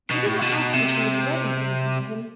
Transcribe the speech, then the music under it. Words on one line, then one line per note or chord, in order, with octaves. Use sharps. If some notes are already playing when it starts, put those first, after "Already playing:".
He did not ask if she was ready to listen to him.
B2
A2
B2
B2
C3